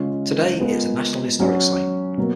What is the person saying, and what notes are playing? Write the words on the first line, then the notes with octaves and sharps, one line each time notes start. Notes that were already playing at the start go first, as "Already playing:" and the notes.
Today it is a national historic site.
Already playing: C#3 G#3 C#4 F4
G#3 B3 F4 A#4
F#3 C#4 F#4 C#5
B2 F#3 A#3